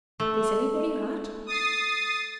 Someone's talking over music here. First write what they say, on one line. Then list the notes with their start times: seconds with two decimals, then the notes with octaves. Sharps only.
"Is anybody hurt?"
0.20 A3
1.46 D#6 A6 C7